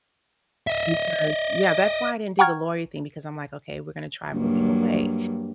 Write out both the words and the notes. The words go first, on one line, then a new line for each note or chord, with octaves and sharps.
because yeah, that's why I didn't do the lawyer thing because I'm like, "Okay, we're gonna try moving away."
D#5 E5
F#5 G5 A#5 C#6 F6 G#6
G2 F#3 A#3